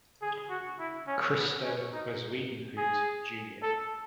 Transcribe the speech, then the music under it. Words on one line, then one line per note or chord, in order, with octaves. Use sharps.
Christo Bezuidenhout Jnr.
G#4
F#4
E4
C#4
B3
C#4
D#4
G#4
A4